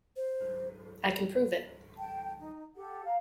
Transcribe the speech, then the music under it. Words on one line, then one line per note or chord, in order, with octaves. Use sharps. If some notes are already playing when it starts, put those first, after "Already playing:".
I can prove it.
C5
G5 A5
D#4
G4 A4 F#5
F5 A#5